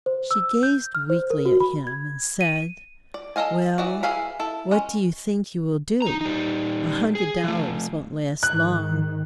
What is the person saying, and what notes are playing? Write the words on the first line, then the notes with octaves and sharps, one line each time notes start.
She gazed weakly at him and said: "Well, what do you think you will do? A hundred dollars won't last long."
C5
E6
G6
F6
C5
A#4
F#4
B5
G#6
D#7
D5
A4 A#4 D#5 F5 G#5
E3 F#4 D5
E3 E4 G#4 F5 B5
E4 A4
G#3 C#4
D#4 A#5
G3 D#4
G#4
F3 A3
G#2 D#3 F#6